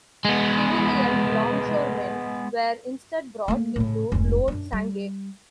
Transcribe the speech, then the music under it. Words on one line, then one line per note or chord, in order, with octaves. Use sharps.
Civilian longshoremen were instead brought in to load "Sangay".
G#3 B3
A3 A#3
A2 C#3
F1 G#2
F#2 D4
G3